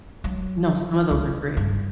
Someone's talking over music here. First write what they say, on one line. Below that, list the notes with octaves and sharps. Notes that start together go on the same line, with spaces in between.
No, some of those are great.
F#3
C#2
G2